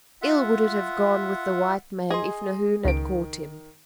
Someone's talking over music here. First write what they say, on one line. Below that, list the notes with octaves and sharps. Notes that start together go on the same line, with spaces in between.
Ill would it have gone with the white man if Nahoon had caught him.
F4 E5 F#5
G#4 D#5 C6
C#2 D#3 D7